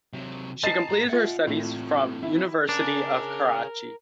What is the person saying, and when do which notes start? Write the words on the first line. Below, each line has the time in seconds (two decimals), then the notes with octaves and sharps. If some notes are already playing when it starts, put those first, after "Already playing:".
She completed her studies from University of Karachi.
0.13 C3 F#3
0.64 D#5 G#5 A5 A6 C7
0.89 A2 A#5
1.09 F4 D#5 E5 F#5
1.47 A2 E3 C4
2.23 E4
2.69 C#4 D4 G#4 A#4